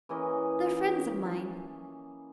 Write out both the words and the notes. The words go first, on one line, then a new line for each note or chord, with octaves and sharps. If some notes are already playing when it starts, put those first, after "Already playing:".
They're friends of mine.
E3 A#3 C#4 D#5